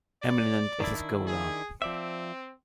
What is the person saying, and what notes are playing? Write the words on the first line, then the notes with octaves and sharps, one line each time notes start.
Eminent as a Scholar.
D5
D#3 D4 E4
G#4
F3 C4 D5 E5